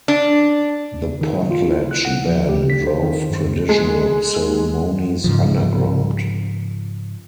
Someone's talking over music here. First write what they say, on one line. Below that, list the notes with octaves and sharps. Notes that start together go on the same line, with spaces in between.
The Potlatch ban drove traditional ceremonies underground.
D4
D#3
F#3
F4
E4
F#6
F#5
F3
G4
B6
C5
D#3
F#2
G#3
G#2 C#3 F3